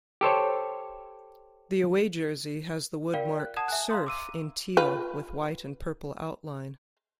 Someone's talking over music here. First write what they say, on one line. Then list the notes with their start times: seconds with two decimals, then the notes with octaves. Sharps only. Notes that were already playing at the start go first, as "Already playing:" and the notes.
The away jersey has the wordmark "Surf" in teal with white and purple outline.
0.21 G4 A4 C5 C#5
3.14 F4 A#4 D5 F5 G5
3.40 F#6
3.56 F#5 A5 D#6 G#6 E7
3.68 E5 G#5 F#6
3.89 F5 A#5 C6 D#6
4.07 D6 E6 D#7
4.77 F4 B4